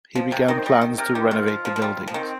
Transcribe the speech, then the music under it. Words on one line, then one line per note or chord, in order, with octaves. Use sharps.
He began plans to renovate the buildings.
F3
C3
D#3 D#5
C5
G3 D#5
D#3
C3 A#4
D#3 G4
D#3 F4
F3
F3
F3
G3
F3
D#3 C4